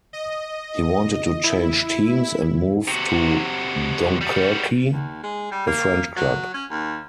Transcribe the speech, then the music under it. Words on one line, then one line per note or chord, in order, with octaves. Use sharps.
He wanted to change teams and move to Dunkerque, a French club.
D#5
E4
C3 F#4
G3 F#4
D#2
G#3
G3
A#3
F#3
C#4
D#2